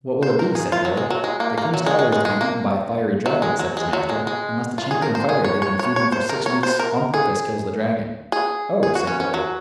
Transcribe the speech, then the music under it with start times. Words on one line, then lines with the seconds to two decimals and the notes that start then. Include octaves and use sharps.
"What will it be?" said Billy. "The king's daughter is to be eaten by a fiery dragon," said his master, "unless the champion fighter they've been feeding for six weeks on purpose kills the dragon." "Oh," said Billy.
0.23 C5
0.39 A#4
0.55 G#4
0.72 F4
0.85 F#3
0.97 G#3
1.10 F#3
1.24 G#3
1.40 A#3
1.58 A#3
1.74 F#3
1.86 G#3
1.99 G#3
2.12 G#3
2.25 G#3
2.41 A#3
3.26 F#3
3.42 G#3
3.59 F#3
3.77 G#3
3.93 F#3
4.09 G#3
4.27 G#3
4.78 F4
4.91 G#4
5.02 A#4
5.15 C5
5.29 G#4
5.44 C#5
5.62 C#5
5.79 C#5
5.96 C#5
6.12 C5
6.29 A#4
6.46 C#5
6.63 C5
6.79 A#4
7.14 G#4
8.32 G#4
8.83 G#4
8.95 F#4
9.07 C#4
9.20 C#4
9.34 F#3